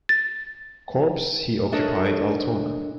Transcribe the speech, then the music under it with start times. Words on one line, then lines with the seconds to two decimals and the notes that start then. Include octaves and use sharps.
Corps he occupied Altona.
0.09 A6
1.72 D4 A4 A#4 C#5 D#5 E5